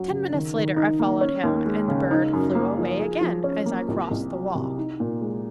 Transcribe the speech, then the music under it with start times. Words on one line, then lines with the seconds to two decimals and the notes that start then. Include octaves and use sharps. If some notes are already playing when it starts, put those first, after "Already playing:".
Ten minutes later I followed him, and the bird flew away again as I crossed the wall.
Already playing: F#2 F#3
0.10 C#3
0.32 D#3
0.55 D#3
0.76 D#4
1.00 A#3
1.21 C#4
1.43 D#2
1.66 G#3
1.88 C#3
2.11 D#4
2.33 F#2
2.55 A#3
2.78 F3
2.99 G#4
3.21 F3
3.44 C#4
3.66 A#3
3.88 C2
4.11 C2
4.32 F#3
4.55 C3
4.78 D#4
5.00 A#2
5.21 G#3